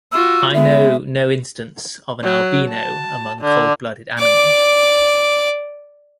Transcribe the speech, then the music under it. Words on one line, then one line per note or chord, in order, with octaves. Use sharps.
I know no instance of an albino among cold-blooded animals.
F4 F#4 E6
G#3 B3 E5
F#3
A5
D3
D5 D6